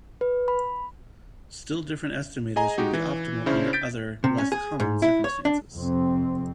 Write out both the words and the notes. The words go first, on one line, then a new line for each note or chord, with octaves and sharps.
Still different estimators would be optimal under other, less common circumstances.
B4
B5
G#4 D#5 G#5 A#5
G#3 D#4 F#4 G4
E3
C#3 C#4 D4 E4 C5
G6 A6 B6 D7
C3
C#4
G#4
G#2
E4
C#5
D4
F2 C3 C4